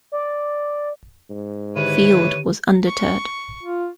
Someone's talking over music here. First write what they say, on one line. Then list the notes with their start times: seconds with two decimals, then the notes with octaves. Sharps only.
Field was undeterred.
0.12 D5
1.30 G#2
1.76 D3 D#3 E4 G4 B4 C#5 D#7
2.87 C#6
3.63 F4